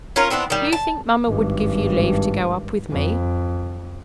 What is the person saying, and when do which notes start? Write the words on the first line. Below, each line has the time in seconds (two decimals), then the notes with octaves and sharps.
'Do you think mamma would give you leave to go up with me?
0.16 C#4 F4 A#4
0.30 B3 C4 D4 E4
0.50 D#3 G3
0.73 A5
1.27 G#1 G2
2.91 F2